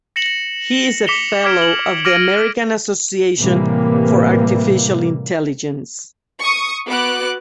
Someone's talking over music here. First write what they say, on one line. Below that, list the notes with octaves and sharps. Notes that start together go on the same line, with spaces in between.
He is a fellow of the American Association for Artificial Intelligence.
A#6 C#7 E7 F#7
D6 B6 C#7 E7 F7 G7
D6 F6 G#6 B6 D7
F#7
D6 F6 G#6 A#6 D7 D#7
A2 C3 E3 G3 A#3
C#6 D#6
B3 F#4 D6 F#6